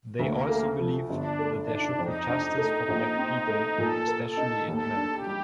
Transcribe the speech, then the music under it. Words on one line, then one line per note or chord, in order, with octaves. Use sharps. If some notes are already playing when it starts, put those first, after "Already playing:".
They also believe that there should be justice for black people especially in America.
D2 A#3
A3
F3
G1 D4
A3
D4
D#3
F2 D#4
D4
A3
A#1
C4
A3
A#2 A4
A#4
A4
D#4
D#2 A4
D4
G4
G3